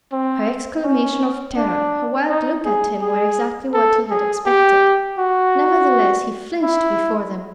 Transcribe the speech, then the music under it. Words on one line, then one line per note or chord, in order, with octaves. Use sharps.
Her exclamation of terror, her wild look at him, were exactly what he had expected; nevertheless, he flinched before them.
C4
C#4
D4
D#4
G#4
G#4
A4
G#4
G4
F#4
E4